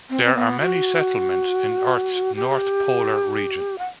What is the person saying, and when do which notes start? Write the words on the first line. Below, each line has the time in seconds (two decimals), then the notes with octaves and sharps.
There are many settlements in Earth's north polar region.
0.10 C4
0.25 C4
0.35 B3
0.61 F#4
2.35 G4
3.78 F#5